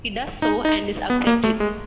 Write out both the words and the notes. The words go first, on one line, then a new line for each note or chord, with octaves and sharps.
He does so and is accepted.
D#4
D#4
B3
A#3
A3
G#3